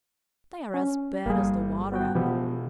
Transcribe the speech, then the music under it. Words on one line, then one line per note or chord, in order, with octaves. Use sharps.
They are as bad as the Water-Adder.
C#4
G1 G3 A#3 G#4
B3 F#4 G5
B2 E3 F3 B3 G4